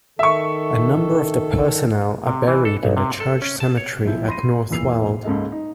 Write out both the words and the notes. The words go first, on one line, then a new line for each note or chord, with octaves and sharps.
A number of the personnel are buried in the church cemetery at North Weald.
D#3 A4 E5 C#6
C3
E3
A4
B1
C3
A4
C#4
A5
C#5
B1 F3 E4 G6
B5 C6 A#6 D#7
E2 A#2 E3 E6 C7 F7
C#2 G#2 A#3 A4 D#5
D#4